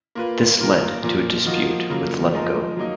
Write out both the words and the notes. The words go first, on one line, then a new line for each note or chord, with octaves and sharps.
This led to a dispute with Lemgo.
A#3 F4 B4
A#3 F4 A#4
A#2 F3 A#3
F3 A#3 D#4 F#4
C#3 F#3 A#3 F4
F3 G#3 D#4 A#4
F#3 A#3 D#4